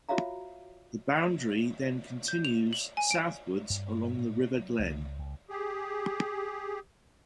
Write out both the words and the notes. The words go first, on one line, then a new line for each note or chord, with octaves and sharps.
The boundary then continues southwards along the River Glen.
F4 F#4 C#5 E5 F5 A#5
G6
F7
F#7
G#5
D7
G2
A2
B3
F#3
C#2
C#2
G4 G#4